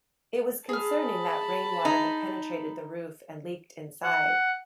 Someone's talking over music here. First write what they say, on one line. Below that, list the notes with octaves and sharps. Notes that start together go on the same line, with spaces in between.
It was concerning that rainwater had penetrated the roof and leaked inside.
G#4 A5 B5 F6
D#4
F#5